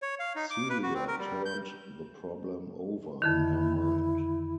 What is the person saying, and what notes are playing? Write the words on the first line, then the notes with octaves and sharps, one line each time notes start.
Celia turned the problem over in her mind.
C#5
F5
D#4
D6
B4
F#4
C4
A#4
G3
G6
F2 D3 D#3 E4